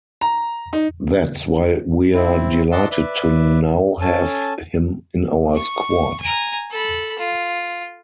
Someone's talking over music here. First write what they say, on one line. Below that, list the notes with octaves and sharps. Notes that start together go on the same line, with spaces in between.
That's why we're delighted to now have him in our squad.
A#5
D#4
C4 E4
D5 D#5 F#5 A5 C6 E6
B4 D5 E5
C#4 A4 G#5 A5
C#6
G#5 A#5
A4 B5
F4